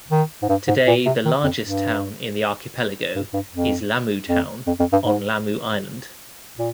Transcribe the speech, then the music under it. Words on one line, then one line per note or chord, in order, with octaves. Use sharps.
Today the largest town in the archipelago is Lamu Town, on Lamu Island.
D#3
G#2
G2
G#2
A#2
C3
D#3
F2
G2
G2
G2
F2
F2
F2
F2
G2
G#2
A#2